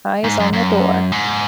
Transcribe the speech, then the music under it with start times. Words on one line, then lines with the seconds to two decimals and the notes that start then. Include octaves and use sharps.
Eyes on the door.
0.24 G#2
0.39 F#2
0.53 F#2
1.12 G#2